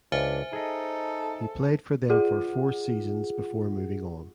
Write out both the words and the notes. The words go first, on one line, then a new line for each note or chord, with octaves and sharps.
He played for them for four seasons before moving on.
C#2 D4 C5 E5 G#5
D#4 G#4 A4 D#5
F4 G#4 F#5